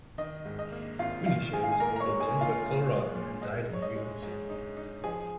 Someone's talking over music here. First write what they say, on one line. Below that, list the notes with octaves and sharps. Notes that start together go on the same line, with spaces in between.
Quinichette was born in Denver, Colorado and died in New York City.
D#3 D#5
G#2
D#5
A#3
G#1 F4 F5
D#3 F4 F5
G#2 G#4 G#5
F5
G#5
A#2 A#4 A#5
A#5
C#5 C#6
G#3
G#4 G#5
A#2
F4 F5
A#2
G#3
A#2
G#2 D#5
G#2 C#5
D#5
G#3
G#2
D#4
D#4
F3 G#4 G#5